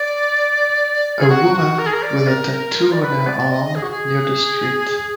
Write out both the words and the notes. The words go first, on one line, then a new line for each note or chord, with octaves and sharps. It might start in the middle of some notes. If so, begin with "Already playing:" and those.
A woman with a tattoo on her arm near the street.
Already playing: D5
G#4
F#4
F#4
A#4
G#4
A#4
D5
A#4
A#4
A#4
D5
B4
D5
D#5
G#4
F#4
G#4